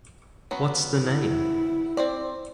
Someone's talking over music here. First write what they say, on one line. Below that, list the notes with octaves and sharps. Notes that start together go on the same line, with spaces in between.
What's the name?
F#3 B3 C#4
E4
C4 C5 D5